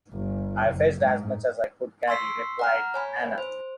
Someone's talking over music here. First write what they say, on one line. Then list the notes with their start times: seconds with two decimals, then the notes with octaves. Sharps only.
"I fetched as much as I could carry," replied Anna.
0.12 G1
0.68 F#1
1.00 G#2
2.08 C6 C#6 E6 B6 C7
2.59 F#5 A#5 F6
2.94 C#5 G#5 B5
3.38 C5